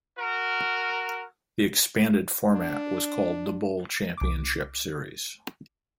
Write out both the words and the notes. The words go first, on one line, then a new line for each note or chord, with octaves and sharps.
The expanded format was called the Bowl Championship Series.
F#4 A#4
D4
C2 D6